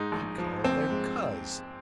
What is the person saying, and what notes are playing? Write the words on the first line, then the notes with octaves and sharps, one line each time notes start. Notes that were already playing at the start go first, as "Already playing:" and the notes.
He called her Coz!
Already playing: G#2 D#4
A#1
F3
A#1 C4
G#2